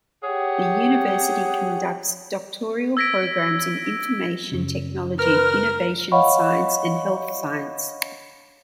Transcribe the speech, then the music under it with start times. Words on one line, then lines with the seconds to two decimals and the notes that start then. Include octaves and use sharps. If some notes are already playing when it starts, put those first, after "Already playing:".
The university conducts doctoral programmes in Information Technology, Innovation Science and Health Science.
0.23 G4 G#4 C#5 F#5
2.97 E6 G#6 A#6 B6 D7
4.52 F#2 C#3
5.19 A#4 B4 F6
6.12 C#5 D#5 F5 F#5 B5 C#6